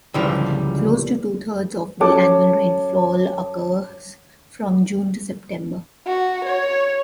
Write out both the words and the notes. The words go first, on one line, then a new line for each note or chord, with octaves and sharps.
Close to two-thirds of the annual rainfall occurs from June to September.
C#2 A#2 D3 E3 F3 G3
F#3 C#4 A4 C#5 A5 D6
F#4
C#5